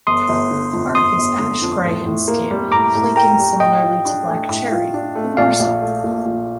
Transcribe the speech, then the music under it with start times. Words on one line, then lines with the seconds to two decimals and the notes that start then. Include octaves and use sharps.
The bark is ash-gray and scaly, flaking similarly to black cherry, but more so.
0.07 G1 C6 D#6
0.29 G1
0.51 D3
0.73 F2
0.95 G1 C6 D#6
1.18 G1
1.39 D3
1.62 F2
1.84 A2
2.06 A2
2.28 A#3
2.51 G3
2.72 A2 A#5 D6
2.95 A2
3.16 A#3 G5 A#5
3.39 G3
3.60 A2 D#5 G5
3.83 F4
4.05 D4
4.27 A3
4.49 A2
4.72 F4
4.94 D4
5.15 A3
5.37 A#1 D5 F5
5.60 A#1
5.82 A3
6.04 A#2
6.26 A#1